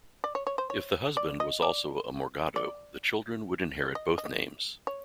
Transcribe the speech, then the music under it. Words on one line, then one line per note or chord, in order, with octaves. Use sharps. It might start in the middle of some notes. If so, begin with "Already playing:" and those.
If the husband was also a morgado, the children would inherit both names.
D5
C#5
C#5
C5
C#5
D5
D#5
D5
D5
D#5
D#5
C#5